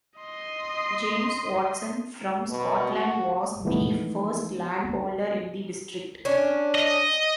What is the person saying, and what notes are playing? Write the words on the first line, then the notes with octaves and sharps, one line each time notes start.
James Watson from Scotland was the first land-holder in the district.
D#5 C6
B2
F#4
E3 F3 G#3 A3 B3 D#4
C#4 D4
D#5